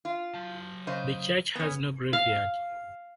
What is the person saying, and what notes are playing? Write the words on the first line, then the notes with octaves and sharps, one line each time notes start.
The church has no graveyard.
F4
F#3 A5
C#3 C5 D#5
B3 C#4
F5